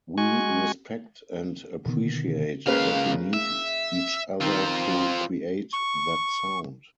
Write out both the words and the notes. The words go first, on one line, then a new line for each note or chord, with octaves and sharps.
We respect and appreciate that we need each other to create that sound.
G#3 F#4 G#5 C#6
B2 D3 D#3 B3
C#2 C#3 A#3 B4 F5
E5
D#3 C4 F4
C#6